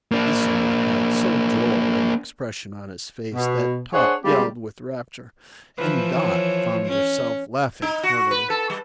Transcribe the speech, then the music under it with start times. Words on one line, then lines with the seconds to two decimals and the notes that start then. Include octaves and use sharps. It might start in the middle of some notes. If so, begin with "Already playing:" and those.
This singer had so droll an expression on his face that Tot yelled with rapture, and Dot found herself laughing heartily.
0.12 A#3 D4
3.34 B2
3.93 D4 G#4 C5 C#5 F#5
4.24 C#3 G3 G#3 C4 F4 G4
5.78 E3 F3 B4
6.16 C#5
6.86 C#4
7.82 D#4
8.03 F#4
8.31 B4
8.50 A4
8.70 G3